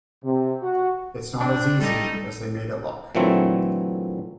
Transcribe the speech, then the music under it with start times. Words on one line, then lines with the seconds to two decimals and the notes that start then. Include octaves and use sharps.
It's not as easy as they made it look.
0.24 C3
0.63 F#4
1.40 C4 D4
1.79 G3 A3 D#4 A4
3.15 A#2 D3 E3 F#3 A3 C4